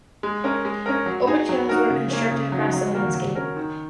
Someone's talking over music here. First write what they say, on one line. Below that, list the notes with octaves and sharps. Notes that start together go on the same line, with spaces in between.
Open channels were constructed across the landscape.
G#3
C#4 A#4
G#3
C#4 A#4
F#3
D#4 G#4
F#3
D#4 F#4 A#4
C#3
A#3 C#4
C#3
F#3 D#4
F#3
A#3 F#4 A#4
F#3
C#4 A#4
D#3